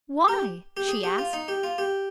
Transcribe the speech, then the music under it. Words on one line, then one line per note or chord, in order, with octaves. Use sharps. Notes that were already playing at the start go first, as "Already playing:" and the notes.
"Why?" she asked.
G4
G4
G#4
G4
F4
D#4
G4
F4
G4